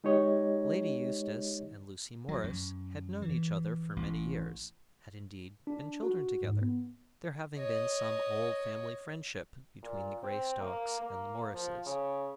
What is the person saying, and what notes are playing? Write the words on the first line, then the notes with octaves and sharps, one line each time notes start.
Lady Eustace and Lucy Morris had known each other for many years,--had indeed been children together,--there having been some old family friendship between the Greystocks and the Morrises.
G#3 D#4 G4 C#5 D#5
F#3
F#2
E3
A1
D4
F#4
G#2
B3
C#5 D#5
A#2
C4
A#3
A#3
F3
C#3